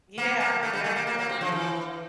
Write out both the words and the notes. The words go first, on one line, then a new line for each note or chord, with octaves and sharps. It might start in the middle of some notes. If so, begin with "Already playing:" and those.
Yeah, absolutely.
A#3
A#3
A3
G3
A3
A#3
A#3
A#3
C4
F3
E3